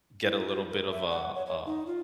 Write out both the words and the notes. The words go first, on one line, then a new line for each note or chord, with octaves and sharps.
get a little bit of, uh uh
E4
F#4
A#4
E5
F#5
C#5
C#5
D#4
F4